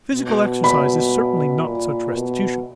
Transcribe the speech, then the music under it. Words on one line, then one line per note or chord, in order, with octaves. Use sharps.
Physical exercise is certainly not such restitution.
B2
B5
A#2
B2